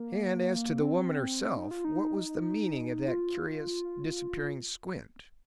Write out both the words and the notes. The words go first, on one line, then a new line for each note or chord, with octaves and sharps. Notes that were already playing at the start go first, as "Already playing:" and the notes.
And, as to the woman herself: what was the meaning of that curious disappearing squint?
Already playing: A#3
C4
D#4
F4
D#4
F4